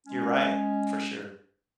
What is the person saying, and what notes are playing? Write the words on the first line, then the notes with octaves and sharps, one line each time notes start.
you're right. For sure.
G#3 C#4